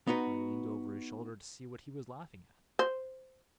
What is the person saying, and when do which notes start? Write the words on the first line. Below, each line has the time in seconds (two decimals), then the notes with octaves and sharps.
I leaned over his shoulder to see what he was laughing at.
0.07 B3 D#4 F#4 B4
2.79 C5